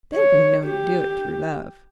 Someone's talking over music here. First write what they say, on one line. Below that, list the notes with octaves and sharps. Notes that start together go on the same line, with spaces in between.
They have been known to do it through love.
C#5
G4